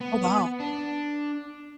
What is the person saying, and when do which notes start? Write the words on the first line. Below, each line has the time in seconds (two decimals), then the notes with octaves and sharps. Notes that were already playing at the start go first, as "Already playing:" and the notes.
Oh, wow.
0.01 B3
0.60 D4